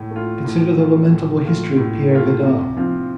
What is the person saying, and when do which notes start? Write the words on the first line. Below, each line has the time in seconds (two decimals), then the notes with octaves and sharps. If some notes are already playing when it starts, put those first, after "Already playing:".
Consider the lamentable history of Peire Vidal.
Already playing: A2
0.11 A3 F4
0.44 A2
0.78 A3 F4
1.11 A2
1.44 A3 F4
1.77 A2
2.10 A3 F4
2.43 C3
2.76 F3 C4 F4